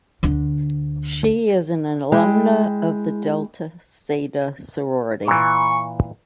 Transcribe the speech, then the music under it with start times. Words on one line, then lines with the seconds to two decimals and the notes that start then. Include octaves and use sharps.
She is an alumna of the Delta Zeta sorority.
0.23 D2 D3
2.12 G#3 E4 G5
5.28 A#2 E3 C#6